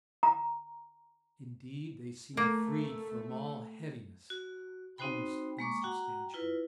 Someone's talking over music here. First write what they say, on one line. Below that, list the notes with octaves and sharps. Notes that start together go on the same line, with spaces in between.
Indeed they seem freed from all heaviness, almost insubstantial.
A#5
A3 A#3
F#4
C4 D#4 F#4 C5 G5 B5
G#3 A#3 C#6 D6
F#4 F#5 G5 A#5
E4 F4 B4